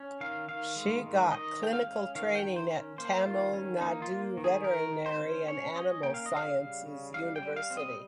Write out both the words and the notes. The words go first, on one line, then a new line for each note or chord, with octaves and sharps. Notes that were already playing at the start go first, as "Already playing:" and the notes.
She got clinical training at Tamil Nadu Veterinary and Animal Sciences University.
Already playing: C#4
D#3 F5
D#3 F5
G#3
D#3
D#3 D#5
G#3 G5
F5
C#4
D#3 F5
G5
D#3
C5
C#4
A#3 C5
D#3 F4
D#3 C#4
A#3 D#4
F4
A#3
D#3
G#4
D#3 A#4
D#3
C5
C#4
C#4 C#5
C#4 D#5
A#3 G5
F5
D#5
C#3
F5
G3
C#3
G3 F5
G5
G3
F5
C4
D#5